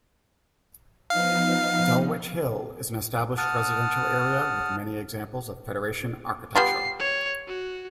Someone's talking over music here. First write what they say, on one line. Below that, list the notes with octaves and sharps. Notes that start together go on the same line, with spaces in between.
Dulwich Hill is an established residential area with many examples of Federation architecture.
F3 B3 D#4 F5
F#5 A5 D#6 F6
G3 B3 F4 C7
C#5
F#4